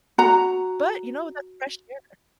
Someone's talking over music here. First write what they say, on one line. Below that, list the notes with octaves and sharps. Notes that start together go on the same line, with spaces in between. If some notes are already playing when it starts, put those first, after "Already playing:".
But, you know, that's fresh air.
F#4 A#5